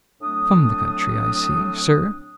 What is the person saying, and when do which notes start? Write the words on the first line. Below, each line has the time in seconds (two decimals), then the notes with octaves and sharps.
'From the country, I see, sir?'
0.21 A2 F#3 A3 C4 D4 D#6